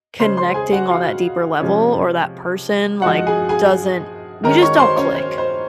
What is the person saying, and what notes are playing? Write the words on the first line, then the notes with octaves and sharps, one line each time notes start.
connecting on that deeper level or that person like, doesn't you just don't click.
C#3 G#3 C#4 C5 C6
C5 C6
G#4 G#5
F#4 F#5
F4 F5
C3 F3 G#3 C#4
F3 G#3 D#4 F#4 F#5
G#4 G#5
G#4 G#5
D#3 G#3 C#4 A#4 A#5
C#5 C#6
C5 C6
C#4 C#5
C5
C5